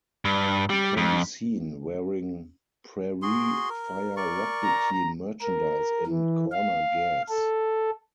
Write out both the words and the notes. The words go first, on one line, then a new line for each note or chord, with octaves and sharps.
He can be seen wearing Prairie Fire rugby team merchandise in "Corner Gas".
G2
G3
F2
F#4 G#4 C6
A#4
A#4 D5 C#6
A#5
A#4
E3
F5
A4